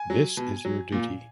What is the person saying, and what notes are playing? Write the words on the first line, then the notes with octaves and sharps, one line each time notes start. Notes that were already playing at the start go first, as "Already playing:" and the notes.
This is your duty.
Already playing: G#5
F#3
B2
F#3
A#2